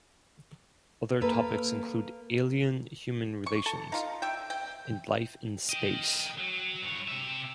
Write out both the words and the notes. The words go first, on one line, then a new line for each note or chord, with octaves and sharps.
Other topics include alien-human relations and life in space.
A#3 A4 B4
C#6
A4
D#4 F4
E5 G5
G5
D#5 G5
F#3
G2 C#5
C3 E5